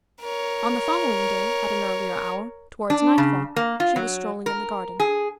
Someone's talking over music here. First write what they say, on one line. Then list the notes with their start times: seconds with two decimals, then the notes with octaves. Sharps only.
On the following day, at an earlier hour, towards nightfall, she was strolling in the garden.
0.22 A#4 C#5
2.90 D4
3.18 C#3
3.56 A#3
3.80 F4
3.96 F#3
4.46 A#4
5.00 G#4